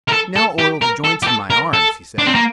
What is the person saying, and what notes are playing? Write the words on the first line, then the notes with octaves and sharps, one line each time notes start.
"Now oil the joints in my arms," he said.
A#4
A4
A4
G4
A#4
A4
G4
A4
A#4
A4
D4
C4
A#3